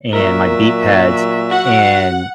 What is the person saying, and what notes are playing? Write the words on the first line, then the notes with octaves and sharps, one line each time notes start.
and my beat pads, and
A#2 F#3 A#4 E5
F#4 F#5